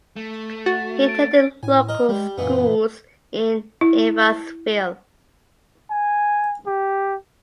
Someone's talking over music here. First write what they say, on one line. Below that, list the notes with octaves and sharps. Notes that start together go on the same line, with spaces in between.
He attended local schools in Evansville.
A3
F#4 A6
D7
A2 G#5
A#4 D#5
G3 G#3
F#2 A#2 E3 B3
E4
G#5
G4